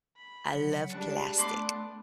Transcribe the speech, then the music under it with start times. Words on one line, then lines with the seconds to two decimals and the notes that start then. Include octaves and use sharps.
I love plastic.
0.18 B5
0.52 C#3 F#3 F#5
0.91 G3 G#3 D4 D5 A5 F#6
1.38 A3 B3 B5 C6 D6